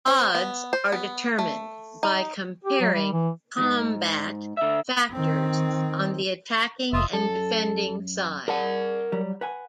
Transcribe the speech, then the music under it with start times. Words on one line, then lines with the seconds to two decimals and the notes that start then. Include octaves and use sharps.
Odds are determined by comparing combat factors on the attacking and defending side.
0.07 C4
0.35 B3
0.73 C5
0.92 B3
1.39 A3
2.03 D#4
2.64 G4
2.81 F#3
2.94 G3
3.12 E3
3.58 E2 G#2
4.57 D3 E5
5.12 D#3 C4
6.93 F1 F4 D#5 E5
7.13 F#2 A4
8.48 G#4 A#4 D5 F#5 A5
9.12 F#3 G3
9.41 B4 F#5 G#5